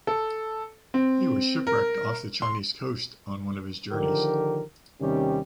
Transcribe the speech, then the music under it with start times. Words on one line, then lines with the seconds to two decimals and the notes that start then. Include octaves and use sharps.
He was shipwrecked off the Chinese coast on one of his journeys.
0.07 A4
0.94 C4
1.67 A#4
2.42 C6
3.92 D3 D#3 F3 G4 A#4
5.01 D#2 C3 D#3 G3 C#4 G4